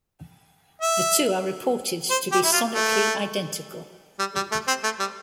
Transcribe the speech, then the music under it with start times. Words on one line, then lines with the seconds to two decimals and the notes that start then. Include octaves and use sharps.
The two are reported to be sonically identical.
0.82 E5
2.11 C5
2.32 G4
2.44 E4
2.53 F4
2.75 A3
4.19 G3
4.36 G3
4.52 A3
4.68 C4
4.84 A3
5.00 G3